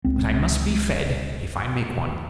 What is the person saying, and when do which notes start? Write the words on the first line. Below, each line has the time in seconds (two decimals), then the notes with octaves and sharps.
"But I must be fed, if I make one."
0.05 C#2 C4